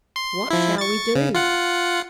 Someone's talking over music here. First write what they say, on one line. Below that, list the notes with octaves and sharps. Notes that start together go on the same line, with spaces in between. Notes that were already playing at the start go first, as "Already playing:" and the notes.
What shall we do?
C6
F3 E4
C#6 A6
C#3
F4 F#5